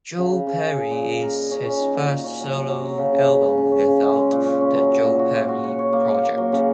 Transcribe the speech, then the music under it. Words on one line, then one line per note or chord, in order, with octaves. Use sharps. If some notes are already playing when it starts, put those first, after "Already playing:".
"Joe Perry" is his first solo album without The Joe Perry Project.
C#3
C#3
C#3
G#4
G#4
A#2
D#5
A#4
D#5
C#4
C#4
D#3
A#2
F#4
C#4
F#3
F#3
F#3
C#4
C#3
C#3
C#4
C#3
C#3
C#4
C#3
C#4
G#3
A#2
C#4
C#4
F#3
F#3
A#2
F#4
A#2
F#4
C#5
C#5
A#3
A#3
A#3
F#3
C#3